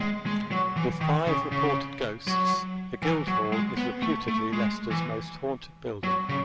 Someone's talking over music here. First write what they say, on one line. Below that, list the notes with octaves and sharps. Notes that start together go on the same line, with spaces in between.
With five reported ghosts, the Guildhall is reputedly Leicester's most haunted building.
G#3
G#3
F#3
E3
D#3
C#3
C#3
F#3
E3
F#3
G#3
B3
A3
A3
G#3
E3
F#3
C#3